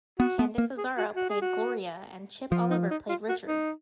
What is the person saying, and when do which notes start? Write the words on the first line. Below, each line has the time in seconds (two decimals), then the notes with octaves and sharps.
Candice Azzara played Gloria and Chip Oliver played Richard.
0.19 B3 F#4
0.39 B3
0.58 A#3
0.78 G#4
0.98 F#4
1.16 F#4
1.30 G#4
1.41 F#4
2.51 F3 F4
2.70 D#4
2.91 D#4
3.09 F4
3.29 F#4
3.48 D#4